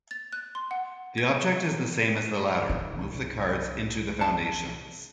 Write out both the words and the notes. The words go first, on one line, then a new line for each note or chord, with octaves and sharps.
The object is the same as the latter: move the cards into the foundations.
A6
F#6
C6
F#5
G#6
C2 D4
A5